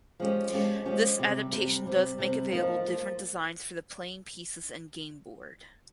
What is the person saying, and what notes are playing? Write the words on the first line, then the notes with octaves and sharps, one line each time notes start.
This adaptation does make available different designs for the playing pieces and game board.
F3 G#3 C#4 G4
F3 G#3 C#4 G4
F3 G#3 C#4 G4
C3 G3 C4
C3 G3 C4
C3 G3 C4
C3 G3 C4
F3 A#3 D#4
F3 A#3